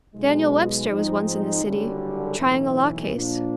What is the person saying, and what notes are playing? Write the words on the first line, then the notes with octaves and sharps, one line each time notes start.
Daniel Webster was once in the city, trying a law case.
B1 B2 G#3
G#2 F3 G#3 C4 D#4
F#1 F#2 D3 G3
B1 A2 E3
A#2 F3 A#3 D4